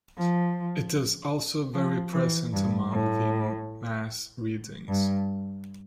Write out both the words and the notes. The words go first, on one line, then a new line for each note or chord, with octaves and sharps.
It is also very present among the Mass readings.
F3
F3
E3
G2
A2
G2